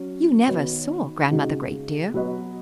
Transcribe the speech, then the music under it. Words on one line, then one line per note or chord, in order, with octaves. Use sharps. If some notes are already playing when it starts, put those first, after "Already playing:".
"You never saw Grandmother Great, dear."
Already playing: F#3 C#4
D#3 B3 D#4 F#4 C#5
C#3 G#3 D#4 F#4
F#3 B3 F#4 B4 D#5